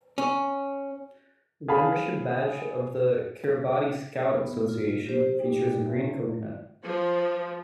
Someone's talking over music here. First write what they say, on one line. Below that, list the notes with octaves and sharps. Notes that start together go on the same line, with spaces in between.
The membership badge of the Kiribati Scout Association features a green coconut.
C#4
G#4 F5 A5 B5
B3
F4
G4 C5
D#4 G4
E2
F3